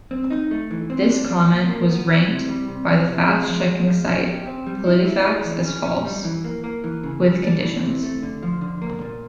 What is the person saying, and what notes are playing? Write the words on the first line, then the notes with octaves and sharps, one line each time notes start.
This comment was ranked by fact-checking site PolitiFact as false, with conditions.
C4
D#4
A3
E3
C4
D4
F3
A#2
A#3
B3
E3
C3
G3
C3
F3
C3
G#3
F3
G#3
F3
C#4
G4
C4
G3
E4
E4
G#3
E3
C#4
C#4
G3
E3
A#3
A#3
E3
C#3
G3
D4
E3
C3
A3
D3
F3
D3
A#3
A#2